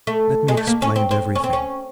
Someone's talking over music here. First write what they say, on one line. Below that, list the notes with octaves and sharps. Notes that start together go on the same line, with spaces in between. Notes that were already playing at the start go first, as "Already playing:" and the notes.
Let me explain everything.
A3
G#3
A3
A#3
C#4
C4
C4
C#4
C4
C#4